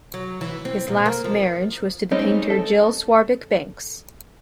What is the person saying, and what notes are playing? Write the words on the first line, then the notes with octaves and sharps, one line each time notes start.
His last marriage was to the painter Jill Swarbrick-Banks.
F#3
E3
C4
A#2
A#3
F3
G3 G#3 C4 C#4 D#4
A4